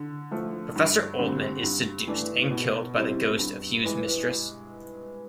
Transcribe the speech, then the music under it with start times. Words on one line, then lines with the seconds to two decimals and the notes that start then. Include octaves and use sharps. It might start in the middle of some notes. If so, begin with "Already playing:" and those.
Professor Oldman is seduced and killed by the ghost of Hugh's mistress.
Already playing: D3
0.31 F3 A3
0.76 G2
1.19 D3 G3 C4
1.63 G2
2.07 E3 A3 D4
2.51 B2
2.95 G3 C4 E4
3.39 G2
3.83 E3 G#3 B3